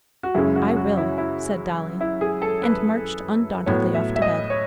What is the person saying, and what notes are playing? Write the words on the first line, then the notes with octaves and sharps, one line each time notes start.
"I will," said Dolly, and marched undauntedly off to bed.
F#4
F#2 C#3 G#3 C#4 E4
F#4
F#4
E4
E4
E4
G#4
A4
B4
A2 F#3 B3 C#5
E5
E5
D#5
C#5